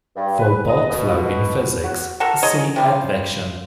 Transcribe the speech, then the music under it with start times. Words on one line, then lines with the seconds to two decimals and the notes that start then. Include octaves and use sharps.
For "bulk flow" in physics see Advection.
0.16 G2
0.38 B4
0.67 D#5
0.90 B2
1.84 F#4
2.20 F#4 A4 A#4
2.43 G#4 C#5 D#5 A#5
2.76 C3 G3 F4